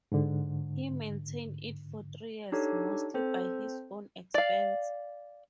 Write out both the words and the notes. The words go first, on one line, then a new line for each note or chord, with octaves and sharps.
He maintained it for three years, mostly by his own expense.
G#2 D3
D4 D#4 G4 A4 C#5
C4 A4 C5
D5 F5